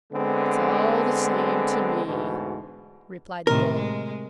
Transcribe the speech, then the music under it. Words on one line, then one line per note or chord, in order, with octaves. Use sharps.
"It's all the same to me," replied the Bull.
D3 G#3 B3 C4
D2 G#2 B2 E3
A2 C3 D#3 A#4
G#3